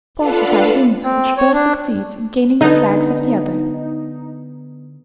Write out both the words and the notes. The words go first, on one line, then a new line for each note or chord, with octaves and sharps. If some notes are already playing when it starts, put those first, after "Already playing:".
Of course the side wins which first succeeds in gaining the flags of the other.
D4 F4 A4 B4 F5 F#5
C4
C#5
D4
D3 B3 D#4